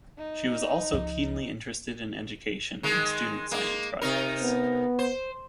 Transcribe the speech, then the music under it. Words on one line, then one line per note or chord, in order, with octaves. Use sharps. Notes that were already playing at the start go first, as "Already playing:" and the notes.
She was also keenly interested in education and student science projects.
D#4
C#2 F3
D#3 G#3
G#3 A#3
C3 D#4 A#4
B3
C5